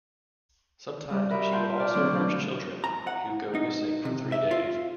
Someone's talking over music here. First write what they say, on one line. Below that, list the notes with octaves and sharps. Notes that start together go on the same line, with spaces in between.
Sometimes she would also nurse children who go missing for three days.
G3
D#4 F#4 A#4 B4 E5
F4 F#5 G5 A5 C6
D5 F6
D3 F#3 A3 C4 D4
E3 F3 A3 C4 D4 F4
A#5
F#5
D#4
C3
E5
F4